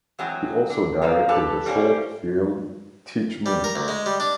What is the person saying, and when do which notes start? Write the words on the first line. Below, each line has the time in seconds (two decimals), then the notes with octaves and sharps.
He also directed the short film Teach Me!
0.19 E3 F#3 G#3 C4
0.70 D3
1.02 F3 A#3 F4 C5
1.29 G4 A4 B4 A5
1.66 G3 A#3 C4 C#4 C5
3.46 G3
3.64 A#4
3.76 D2
3.88 G#3
4.06 G3
4.20 D4